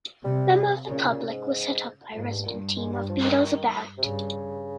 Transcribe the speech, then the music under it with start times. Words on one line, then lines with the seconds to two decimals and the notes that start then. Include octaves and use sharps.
Members of the public were set up by a resident team of Beadle's About!
0.25 C3 G3
0.87 A#2 C#3
1.09 A#2
1.29 G#2
2.14 F2 G#2
2.30 G2
2.46 G2 A#2
2.77 G#3
2.93 G3
3.09 F3
3.24 D#3
3.98 C3
4.03 G2 C#3